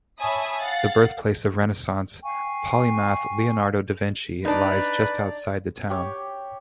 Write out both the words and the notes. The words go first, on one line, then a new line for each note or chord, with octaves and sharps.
The birthplace of Renaissance polymath Leonardo da Vinci lies just outside the town.
C#5 E5 G#5 A5 B5 D#6
F5 F#5 A6
F5 G5 G#5 C#6
D4 D#4 B4 D5
G4 C#5